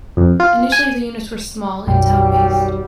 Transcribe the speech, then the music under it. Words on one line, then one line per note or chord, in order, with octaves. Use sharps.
Initially the units were small and town-based.
F2
F4
G#5
B1 F#2 D#3 F#3 G3 G5